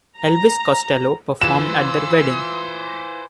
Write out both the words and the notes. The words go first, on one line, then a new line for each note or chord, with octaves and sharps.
Elvis Costello performed at their wedding.
A#5
E3 F4 B4 C5 E6 E7